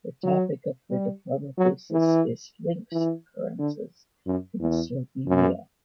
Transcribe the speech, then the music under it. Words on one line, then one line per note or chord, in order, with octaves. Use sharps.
The topic of her diploma thesis is lynx occurrences in Slovenia.
F#3
G3
F#3
E3
E3
D3
F#2
E2
F#2